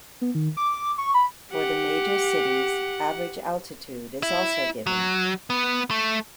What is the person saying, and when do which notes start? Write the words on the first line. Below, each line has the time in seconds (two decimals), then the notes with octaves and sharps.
For the major cities, average altitude is also given.
0.21 B3
0.35 D#3
0.57 D6
0.98 C#6
1.14 B5
1.51 G4 F#5
4.23 E4
4.87 F#3
5.50 B3
5.91 A3